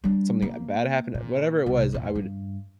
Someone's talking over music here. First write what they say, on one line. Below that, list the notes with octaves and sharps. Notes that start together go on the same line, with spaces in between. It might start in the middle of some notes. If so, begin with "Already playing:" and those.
something, uh, bad happened. Whatever it was, I would
G3 D4
A#3
A#2
C2
E2 A#2
G2